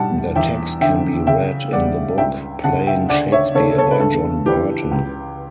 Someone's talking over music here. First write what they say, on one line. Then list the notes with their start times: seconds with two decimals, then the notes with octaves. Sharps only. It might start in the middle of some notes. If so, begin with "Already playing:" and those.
Their text can be read in the book "Playing Shakespeare" by John Barton.
Already playing: B2 G3 F#5 A5
0.36 E2 E5 G5
0.81 D3 E5 G5
1.27 C#3 E5 G5
1.72 G3 D5 F#5
2.18 C#2 E5 G5
2.64 C#3 F#5 A5
2.87 E5 G5
3.09 D2 D5 F#5
3.32 C#5 E5
3.54 C#3 A4 C#5
3.78 A4 C#5
3.91 B4
4.00 G2 A4
4.46 E3 G4 B4
4.91 C#2